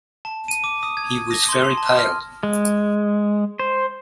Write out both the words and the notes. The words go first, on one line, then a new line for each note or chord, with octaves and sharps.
He was very pale.
A5
D#7
D6
D#6
G#6
A#6
C6
C6
A5
F6
G#3
C5